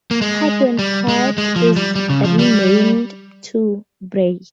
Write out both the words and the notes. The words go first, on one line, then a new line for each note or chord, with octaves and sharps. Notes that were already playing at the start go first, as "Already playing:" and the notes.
Paguetpet is renamed to Bray.
A#3
G#3
G3
G#3
G#3
F3
G3
G3
C#3
F3
G3